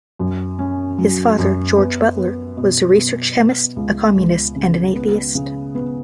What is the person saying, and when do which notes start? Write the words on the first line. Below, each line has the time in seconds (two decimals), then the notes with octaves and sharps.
His father George Butler was a research chemist, a Communist and an atheist.
0.19 F#2
0.59 C#4
0.98 F#3
1.38 F#2
1.78 B3
2.18 B3
2.57 B2
2.97 B2
3.37 B3
3.76 C#2
4.16 C#2
4.56 C#3
4.95 B3
5.35 C#3
5.75 B3